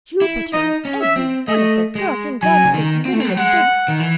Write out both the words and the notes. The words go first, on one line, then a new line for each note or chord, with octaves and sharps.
Jupiter, and every one of the gods and goddesses, little and big!
E4
D#4 D#5
C#4
E5
C4
A3 D#5
G#3
F#3 G#5
C#3
D#3
C4
A3
C4
F#3
G#3 F#5
D#3
E3